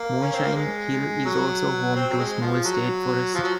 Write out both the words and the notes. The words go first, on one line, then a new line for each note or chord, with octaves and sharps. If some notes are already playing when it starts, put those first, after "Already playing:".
Moonshine Hill is also home to a small state forest.
Already playing: A#3
C#4
C4
A#3
G#3
F#3
C4
F#3
G#3
F3
F#3
F3
F#3